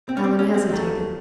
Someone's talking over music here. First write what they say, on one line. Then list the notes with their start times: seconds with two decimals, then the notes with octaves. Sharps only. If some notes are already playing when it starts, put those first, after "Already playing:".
Allan hesitated.
0.09 C4
0.17 C#4
0.24 C4
0.39 C#4
0.54 C4
0.69 D#2 D#3 F#3 A3